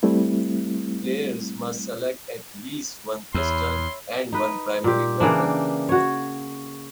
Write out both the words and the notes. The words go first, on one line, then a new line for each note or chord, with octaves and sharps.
Players must select at least one pistol, and one primary weapon.
G3 A3 C4 E4
E2 C#5 E5 B5 C6
D#4 B4
A#2 G4
C#3 E3 A#3 D4
F#4 C#5